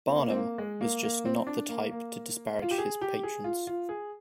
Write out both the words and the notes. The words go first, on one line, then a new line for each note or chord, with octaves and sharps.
Barnum was just not the type to disparage his patrons.
C4
A#3
C4
A#3
G#3
A#3
A#3
C4
C4
D4
A#3
A#3
F4
G4
G#4
G4
G#4
F4
F4
G#4